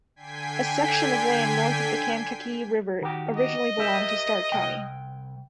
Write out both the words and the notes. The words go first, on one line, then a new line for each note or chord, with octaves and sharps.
A section of land north of the Kankakee River originally belonged to Starke County.
D3 G5 G#5 G#6 B6 C7
D#3 F#4 G4
D#5
G4 A#4 E5
C2 G5